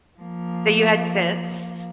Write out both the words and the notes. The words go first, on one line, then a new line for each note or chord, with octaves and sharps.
So you had sense.
F3 A#3